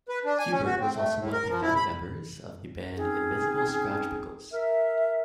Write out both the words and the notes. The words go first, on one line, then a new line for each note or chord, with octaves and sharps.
Qbert was also one of the founding members of the band Invisibl Skratch Piklz.
B4
D4
G#5
C#4
F#4
C4
A3
A2
A#4
F3
E4
B5
C4 C#4 D#4 G#4
A#4 E5